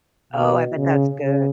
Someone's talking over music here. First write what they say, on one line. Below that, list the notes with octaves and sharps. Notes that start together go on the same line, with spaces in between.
Oh, I bet that's good.
B2
C#3
C#3